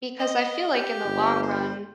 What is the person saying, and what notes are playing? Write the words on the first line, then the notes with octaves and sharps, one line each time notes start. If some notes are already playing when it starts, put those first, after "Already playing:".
because I feel like in the long run,
D#5
G4
G1
C5